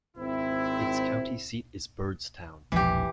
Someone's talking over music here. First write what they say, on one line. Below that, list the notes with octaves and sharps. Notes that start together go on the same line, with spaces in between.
Its county seat is Byrdstown.
G#1 C4 E4
E1 A#1 E3 F3 G4